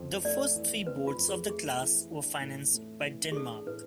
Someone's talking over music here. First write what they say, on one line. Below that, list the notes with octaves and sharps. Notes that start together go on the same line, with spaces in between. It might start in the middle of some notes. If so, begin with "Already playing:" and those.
The first three boats of the class were financed by Denmark.
Already playing: F2 C4
A3 D5
E3
C4 B4
F4
F2
G#4
A3 G#4
E3
D4
A2
A3
E3
G#4
D4 A4
A2 B4